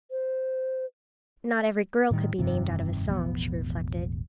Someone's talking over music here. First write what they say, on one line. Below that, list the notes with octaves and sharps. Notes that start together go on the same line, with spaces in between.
Not every girl could be named out of a song, she reflected.
C5
A2 D#3 G3
F1 G2 C3 D#3
E1 A1 F3 B3